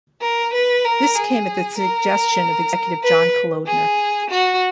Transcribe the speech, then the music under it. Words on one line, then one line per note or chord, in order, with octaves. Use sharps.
This came at the suggestion of executive John Kalodner.
A#4
B4
A#4
G#4
A#4
B4
G#4
F#4